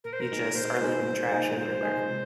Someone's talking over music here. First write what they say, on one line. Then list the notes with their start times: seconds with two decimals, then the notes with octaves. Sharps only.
you just are leaving trash everywhere.
0.04 A#2 A#4
0.13 C5
0.21 A#4
0.30 G#3 D#4 G#4
0.56 A#2 C5
0.81 G#3 D#4 G#4
1.06 A#2
1.32 G#3 D#4 G#4
1.57 A#2 C5
1.83 G#3 D#4 G#4
2.08 C3